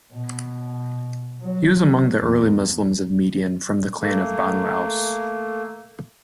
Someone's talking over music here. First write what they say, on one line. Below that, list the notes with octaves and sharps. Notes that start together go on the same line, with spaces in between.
He was among the early Muslims of Median from the clan of Banu Aws.
B2
F#3
E2
A3 A#3